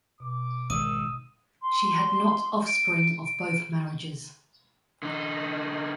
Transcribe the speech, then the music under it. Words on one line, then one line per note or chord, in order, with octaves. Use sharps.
She had not offspring of both marriages.
B2 D6
G#1 D#3 D#6 E6 D#7
C6
D7
D7
D3 D#4